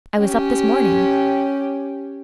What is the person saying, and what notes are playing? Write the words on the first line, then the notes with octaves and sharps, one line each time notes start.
"I was up this morning."
C#4 G4